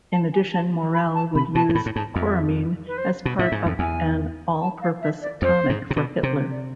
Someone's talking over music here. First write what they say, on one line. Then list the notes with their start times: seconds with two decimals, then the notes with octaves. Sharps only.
In addition, Morell would use Coramine as part of an all-purpose "tonic" for Hitler.
0.12 A5
0.33 G#5
0.54 A5
0.94 B5
1.15 A5
1.35 C3 B5
1.55 B2 A5
1.69 G#2
1.75 A2 B5
1.86 A2
1.96 G#2 A5
2.16 F2 E5
2.87 B4
2.98 C5
3.25 B2
3.39 A2 E5
3.52 G#2
3.66 F2
3.79 E2 G#5
4.61 A5
4.82 F5
5.02 E5
5.22 D5
5.42 F2 C5
5.69 G#2
5.91 C3
5.96 B2
6.23 C3 C5
6.51 D5